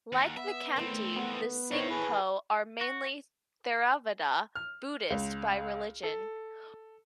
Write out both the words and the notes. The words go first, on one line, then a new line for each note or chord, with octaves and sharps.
Like the Khampti, the Singpho are mainly Theravada Buddhist by religion.
D#2 F#5
B3 E5
E2 D#3 A3 C4 C#4
B3
E2 A2 D#3 C4 E4 C#5
G#4 B4 G#5
F#4
F6
C#2
A4